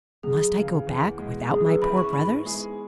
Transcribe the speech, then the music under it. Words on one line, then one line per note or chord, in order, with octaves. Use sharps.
"Must I go back without my poor brothers?"
F#2 G#4
C#3 E3
E2
B2 G#3
F#2 G#4
B4
E3 C#4 E4 B4 B5
C#6
G#2 B5
G#3 B3 E4 G#4